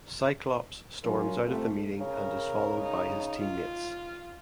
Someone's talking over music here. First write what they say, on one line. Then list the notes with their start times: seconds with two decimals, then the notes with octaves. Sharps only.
Cyclops storms out of the meeting and is followed by his teammates.
1.04 E3 F#3 C#4 D4 F4 A#4
1.47 C3 F3 G3 A3
2.00 C#3 A#4
2.82 D#4
3.38 F4